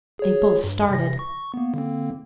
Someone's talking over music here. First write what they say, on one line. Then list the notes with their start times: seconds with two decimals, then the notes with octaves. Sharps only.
They both started.
0.19 G#4 C#5
0.64 G2
0.90 C3 A#6
1.19 C#6
1.54 A#3 B3
1.74 D3 A#3 C4